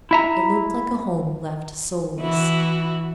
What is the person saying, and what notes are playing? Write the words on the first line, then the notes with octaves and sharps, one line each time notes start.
It looked like a home left soulless.
E4 E5 A#5
E3 E4 F#4